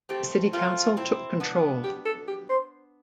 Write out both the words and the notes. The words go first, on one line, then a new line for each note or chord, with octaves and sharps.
The City Council took control.
A3 C4 G4
A3 C4 F4
C4 E4
B3 D4
G4
A4
G4
C5